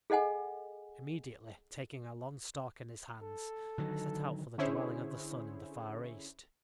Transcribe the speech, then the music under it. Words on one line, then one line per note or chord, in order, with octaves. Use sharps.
Immediately, taking a long stalk in his hands, he set out for the dwelling of the sun in the far east.
G#4 A4 D#5 F#5 G#5
A4
D3 D#3 F#3
D3 C#4 E4 G#4 C5 C#5